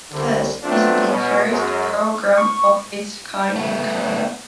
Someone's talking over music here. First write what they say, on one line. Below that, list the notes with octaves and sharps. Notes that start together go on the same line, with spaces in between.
This is the first program of its kind in Canada.
C2 D3
F#3 A3 B3 C4 D4 F4
B2 C#4
F#2 F#3 G#3
C#6
A3 B3